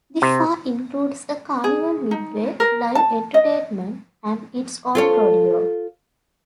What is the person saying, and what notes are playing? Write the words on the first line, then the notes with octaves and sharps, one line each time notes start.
The fair includes a carnival midway, live entertainment, and its own rodeo.
C3
G#4
D#4
A#4
A5
D#5
F4 A4 C#5